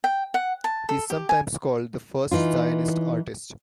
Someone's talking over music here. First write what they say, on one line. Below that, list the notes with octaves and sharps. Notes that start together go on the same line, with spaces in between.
He is sometimes called the first Zionist artist.
G5
F#5
A5
A4
G4
G#5
E3 D#4 F4